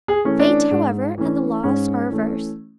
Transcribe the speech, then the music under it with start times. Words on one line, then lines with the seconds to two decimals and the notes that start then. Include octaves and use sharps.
Fate, however, and the laws are averse.
0.08 G#4
0.25 E3 A3 C#4
0.39 D4
0.71 G#2
1.18 E3 A3 C#4
1.63 G#2 C#4
2.10 E3 A3 C#4